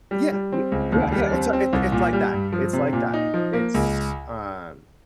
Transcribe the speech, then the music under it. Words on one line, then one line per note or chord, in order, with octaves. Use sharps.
Yeah yeah yeah yeah it's it's it's like that it's like that. It's, um
G3
G3
C4
C#2
D#2
G3
C4
C4
C2
A#2
G3
G2
F3
C3
A#2
D#4
F3
A#3
C#2